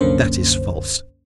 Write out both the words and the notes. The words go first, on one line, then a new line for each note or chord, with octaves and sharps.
That is false.
C2 F#2 D3 A#3 C#4 C5